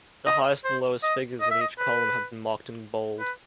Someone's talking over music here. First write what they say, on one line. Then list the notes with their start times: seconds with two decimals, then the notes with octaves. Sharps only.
The highest and lowest figures in each column have been marked in bold.
0.26 D#5
0.64 C5
1.03 D#5
1.41 D#5
1.51 E5
1.60 D#5
1.79 B4
3.20 B4